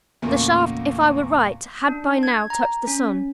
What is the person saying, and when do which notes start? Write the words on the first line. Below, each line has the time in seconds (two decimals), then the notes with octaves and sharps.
The shaft, if I were right, had by now touched the sun.
0.22 E2 A#2 C#3 A3 A#3
1.88 D4
2.23 G#6
2.50 A#5
2.87 C#4